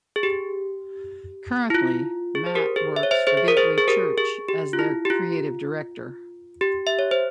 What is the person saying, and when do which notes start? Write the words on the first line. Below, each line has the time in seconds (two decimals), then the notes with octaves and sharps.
Currently, Matt works for Gateway Church as their Creative Director.
0.16 G#4
0.23 G4
1.70 E4
1.74 F4
2.35 G#4
2.46 C5
2.55 G4 A#4
2.76 G#4 C5
2.96 E5
3.03 C#5
3.11 C5 E5
3.27 G#4 C5
3.37 G#4
3.48 A#4
3.57 G#4 C5
3.78 G#4
3.88 G4 A#4
4.18 G#4
4.48 G4
4.73 F4
4.79 E4
5.05 G4
5.10 F4
6.61 G4
6.87 E5
6.99 C#5
7.11 C5